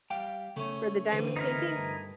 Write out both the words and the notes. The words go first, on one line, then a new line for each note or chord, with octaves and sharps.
for the diamond painting?
G3 G4 F5 G5
C#3 A3 C#4
D2 C3 E3
D#4 E4 A#4
G2